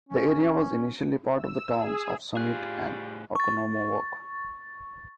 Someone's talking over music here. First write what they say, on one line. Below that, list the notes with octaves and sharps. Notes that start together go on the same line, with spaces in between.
The area was initially a part of the towns of Summit and Oconomowoc.
C#4
E6
G#4
A2 G3 F4 G#4 F#6
C#6 A6